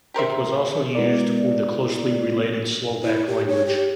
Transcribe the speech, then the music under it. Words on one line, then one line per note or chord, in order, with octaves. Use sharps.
It was also used for the closely related Slovak language.
G4 A#4 C5 E5
G#3 B3 E4 A#4 D5
E4
G4
C#5
G4